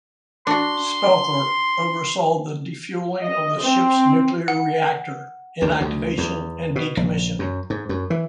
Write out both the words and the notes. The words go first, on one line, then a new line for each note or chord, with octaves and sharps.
Spelker oversaw the defueling of the ship's nuclear reactor, inactivation, and decommissioning.
D4 F#4 C6
D#5
C4
F#5
D2
D2
E2
B2
A#1
F#2
G#2
F#2
E3